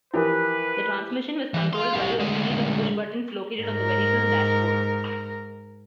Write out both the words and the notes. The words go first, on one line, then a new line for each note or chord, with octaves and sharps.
The transmission was controlled by a series of pushbuttons located on the vehicle's dashboard.
E3 F3 E4 G4 A#4 B4
E3
F5 C6
E4 G4
D2 G#3
G#2 A#4